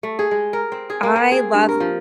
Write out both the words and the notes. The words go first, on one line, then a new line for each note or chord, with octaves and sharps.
I love
A3
G#4
G#3
A#4
C4
G#4
A#3
C4
G#4
G2
A#4
F3